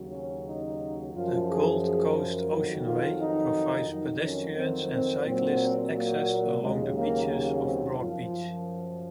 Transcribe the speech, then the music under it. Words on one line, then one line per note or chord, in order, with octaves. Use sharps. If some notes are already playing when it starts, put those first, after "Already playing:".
The Gold Coast Oceanway provides pedestrians and cyclists access along the beaches of Broadbeach.
Already playing: D#2 C#3 F#3
C#4
D#4
F#2 F3 F4
G#4
G#4
A#4
F2 D#3 F#3
F4
D#4
F2 D#3 F#3
C#4
C4
C4
A#2 F#3 C4
A#3
D#2 C#3 F#3 G#3
A#3
A#3
C4
F#2 F3 F4